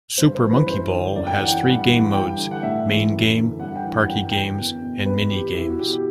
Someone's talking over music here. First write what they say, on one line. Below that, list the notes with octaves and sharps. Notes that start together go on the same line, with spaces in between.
"Super Monkey Ball" has three game modes: main game, party games, and mini-games.
G2 C5
C5
E3
B4
F#2 C5
D3
F#2 D5
G5
F#5
E3
G5
G2 F#5
E3
G2 G5
D3
F#5
A2 E5
E3
F#2
D3
G2 F#5
G5
E3
F#5
F#2 G5
D3 G5
E2
B2
F#2 B4
E3 G4
E2 E4
F#4
B2 G4
G4